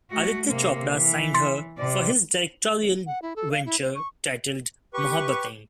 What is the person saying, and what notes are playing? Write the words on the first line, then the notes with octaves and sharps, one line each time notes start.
Aditya Chopra signed her for his directorial venture titled "Mohabbatein".
A3 F#4
C3 A#3
E3
C6 A6 C#7
C3 D5
F#5
E4
A4
F5
E4
C5
C#6
G4 B4 C#6